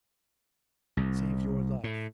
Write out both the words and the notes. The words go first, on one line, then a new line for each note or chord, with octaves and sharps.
Save your life!
C2
A2